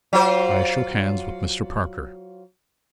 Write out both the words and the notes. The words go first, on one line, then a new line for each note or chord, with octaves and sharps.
I shook hands with Mr. Parker.
F#3 F4 C5